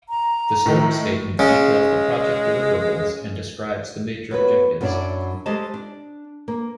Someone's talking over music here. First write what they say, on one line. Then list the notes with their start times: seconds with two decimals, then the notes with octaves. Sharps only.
The scope statement details the project deliverables and describes the major objectives.
0.09 A#5
0.66 A2 D#3 A4
1.39 C#3 G#3
4.31 F#3 B3 B4
4.81 F#2 F#3 B3 D4 E4 D5
5.46 G#3 A3 G4 C5 D#5 A5
5.74 D4
6.48 A#3